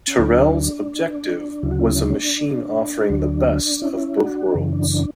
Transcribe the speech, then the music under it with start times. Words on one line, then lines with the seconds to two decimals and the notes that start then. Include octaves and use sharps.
Terrell's objective was a machine offering the best of both worlds.
0.08 C#4
0.18 D2 D3 F#3 D4
1.63 D2 C#3 F#3 E4
1.71 F#4
1.79 C#4 E4
2.00 D4
2.09 C#4
2.18 D4
3.09 D2 D3 F#3
3.82 C#4 E4
4.18 D4 F#4
4.55 F#2 C#3 E3
4.73 D4
4.91 D4